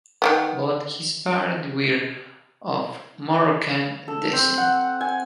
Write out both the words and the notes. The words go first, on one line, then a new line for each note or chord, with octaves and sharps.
Both his parents were of Moroccan descent.
D#3 A#3 B3
A4
C4
F#5
G#5